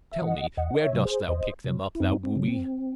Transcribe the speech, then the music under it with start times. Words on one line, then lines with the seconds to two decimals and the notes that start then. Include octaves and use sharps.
Tell me, where dost thou pick them up, thou booby?
0.12 E5
0.22 E3 D#5 F#5
0.57 E2 D#5 F#5
0.75 D#5
0.81 C#5 E5
0.93 C3 F#3
1.05 G#4 C5
1.28 E2 C5 D#5
1.64 C3 F#3
1.95 E4
2.00 F#2 C4 D#4
2.23 C4
2.36 C#3 F#3
2.48 C4